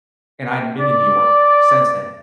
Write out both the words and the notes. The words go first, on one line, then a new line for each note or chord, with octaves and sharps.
and I hadn't been to New York since then,
D5